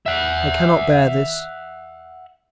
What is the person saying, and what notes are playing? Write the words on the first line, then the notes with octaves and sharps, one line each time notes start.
I cannot bear this.
E5 F#5